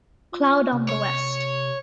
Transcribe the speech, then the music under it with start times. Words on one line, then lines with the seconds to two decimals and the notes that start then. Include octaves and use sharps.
Cloud on the west.
0.32 F4
0.72 C3
0.89 C#5